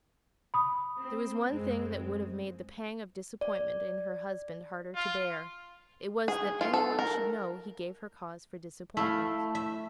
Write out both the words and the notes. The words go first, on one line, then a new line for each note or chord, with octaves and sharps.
There was one thing that would have made the pang of disappointment in her husband harder to bear; it was, that any one should know he gave her cause for disappointment.
B5 D#6
C4
F#2 G#3 C4
D5
F4
G#4
F4
A4
A#4
A3 E4 F5
E5